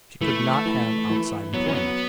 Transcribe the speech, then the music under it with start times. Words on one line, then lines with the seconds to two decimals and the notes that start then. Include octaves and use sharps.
She could not have outside employment.
0.21 E3 A3
0.65 E3
1.10 E3
1.54 F#3 B3
1.68 C#4
1.75 B3